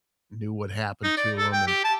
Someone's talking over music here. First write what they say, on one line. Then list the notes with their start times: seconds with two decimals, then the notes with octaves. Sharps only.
knew what happened to him, and,
1.04 D#4
1.18 D5
1.38 A4
1.53 G5
1.67 G4
1.85 A5